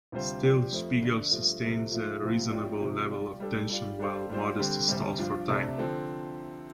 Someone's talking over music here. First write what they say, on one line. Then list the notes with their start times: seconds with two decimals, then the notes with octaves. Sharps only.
Still, Spiegel sustains a reasonable level of tension while Modesty stalls for time.
0.12 D2 C3 G3 F4 C5
0.43 F3 D4 G4 C5
0.72 F2 F3 A3
1.02 D3 A3 D4
1.31 G2 F3 A3
1.62 C2 C3 F3 A3
1.91 F3 A3 F4
2.21 C2 C3 F3 C4 F4
2.51 A2 F3 C4 G4 D5
2.80 C2 C3 F3
3.10 G3 F4 D5
3.40 G3 D4 A4
3.69 G3 F4 D5
3.99 G3 D4 A4 C5 F5
4.29 G3 D4 F4 C5
4.59 D3 G3 C4 G4
4.88 D2 C3 G3
5.18 G2 F3 D4 F4 D5
5.48 C2 C3 A3 D4 A4
5.78 D3 F3 C4 A4